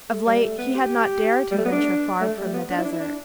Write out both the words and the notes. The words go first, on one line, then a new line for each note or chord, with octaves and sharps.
Of late he had not dared to venture far from the desert.
A3
G3
A3
B3
G4
G3
A3
B3
D4
A3
G3
B3
D4
E4
D4
E4
D4